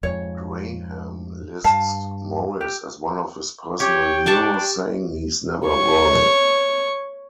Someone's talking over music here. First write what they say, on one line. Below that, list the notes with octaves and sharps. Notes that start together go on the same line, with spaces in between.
Graham lists Morris as one of his personal heroes, saying he's never wrong.
F2 G#2 C#5
G2 F5 A5
G4
G4 C#5 G5
D4 A5 C#6 D6
C#5 C#6